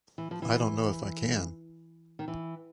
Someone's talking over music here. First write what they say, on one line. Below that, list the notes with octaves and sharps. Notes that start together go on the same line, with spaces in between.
I don't know if I can.
E3
F3
E3
D#3
E3